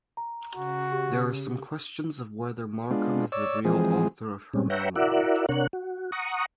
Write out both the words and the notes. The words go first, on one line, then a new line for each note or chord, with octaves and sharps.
There are some questions of whether Markham is the real author of her memoir.
A#5
C#3 F#4
G4
G#3 B3 D4 F4
C#5 D5 E6
E3 F3 G#3 C4 G#4
A#2 G3 G#3 C4 C#4
B4 C#5 E5 F#5 G5 A#5
E4 F#4 A#4 D5 E5 F#5
C3 D4 A#4 C#5 F#5 F#6
F#4
F#5 A#5 C#6 D#6